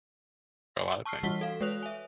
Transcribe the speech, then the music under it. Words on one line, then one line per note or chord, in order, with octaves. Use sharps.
A lotta things.
A5 C#6 E6 F6 C7
E3 G3 F#4 B6 G7
A4 F5
G#3 B4 C#5 D#6 F#6 F7
E5 G#5